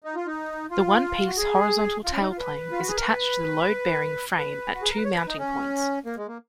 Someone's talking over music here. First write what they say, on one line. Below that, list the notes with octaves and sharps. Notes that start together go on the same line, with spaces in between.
The one-piece horizontal tailplane is attached to the load-bearing frame at two mounting points.
D#4
F4
D#4
F4
F#4
G#4
F4
C#4
D#4
F4
B4
F4
F#4
G#4
A#4
B4
B4
F#4
G#4
A#4
B4
C#5
B4
D#4
C#4
A#3
G#3
A#3